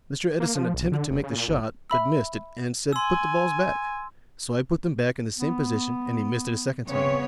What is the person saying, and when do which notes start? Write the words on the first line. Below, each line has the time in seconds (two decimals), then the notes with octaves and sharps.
Mr. Edison attempted to make the shot, but missed it and said 'Put the balls back.' So I put them back in the same position and he missed it the second time.
0.40 A#3
0.55 F3
0.74 B1
0.92 D3
1.10 F1
1.23 C#3
1.35 A#2
1.48 G1
1.90 E5 B5 E6
2.93 G#5 C6 E6
5.38 B3
6.87 C#3 B3 C4 C#5